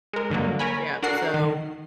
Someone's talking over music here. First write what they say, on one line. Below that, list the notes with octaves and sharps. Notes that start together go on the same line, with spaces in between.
Yep, so,
G#3 A#4
G2 D3 F#3 A#3
A#4 C#5 G#5 B5
D4 F#4 A4 A#4 F#5 C7
D#3